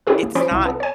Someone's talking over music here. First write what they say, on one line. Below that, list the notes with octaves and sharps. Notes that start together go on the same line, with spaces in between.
it's not
C#4 E4 F4 G4 G#4 A#4
A#3
F3 C#4 C#5 B5 D7
C2 E4 F4
B3 C4 A4 B4
C#5 G#5